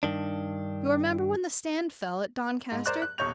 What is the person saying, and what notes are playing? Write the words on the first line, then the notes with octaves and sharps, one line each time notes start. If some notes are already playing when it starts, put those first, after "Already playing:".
You remember when the stand fell at Doncaster?
G2 D#3 D4
G#2
A#4 C5 D5 D6 F#6
F#6
D#1 B1 C#5 C#6 G6 F7